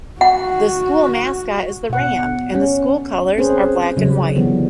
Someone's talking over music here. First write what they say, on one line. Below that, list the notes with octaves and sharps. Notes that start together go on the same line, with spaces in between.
The school mascot is the ram, and the school colors are black and white.
F#4 F#5
B2 F#5
C#4
C4 C#4 G#4 B4 C5
C#3 F#3
D3 E3 F3 G3 B3